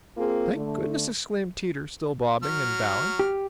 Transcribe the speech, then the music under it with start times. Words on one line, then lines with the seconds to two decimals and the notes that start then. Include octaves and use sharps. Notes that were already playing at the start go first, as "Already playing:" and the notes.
"Thank goodness!" exclaimed Teeter, still bobbing and bowing.
0.17 A#3 C4 F4 G#4
0.55 D3 A3
2.43 F#3 F6
3.19 G4